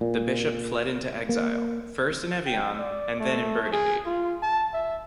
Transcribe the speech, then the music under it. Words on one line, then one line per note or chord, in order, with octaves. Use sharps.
The bishop fled into exile, first in Evian, and then in Burgundy.
A#2
A#3
G5
D5
A3
G#4
F4
A5
E5